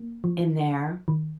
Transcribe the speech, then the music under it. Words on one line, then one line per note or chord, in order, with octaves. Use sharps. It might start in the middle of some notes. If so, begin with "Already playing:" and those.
In there.
Already playing: A#3
F3
D#3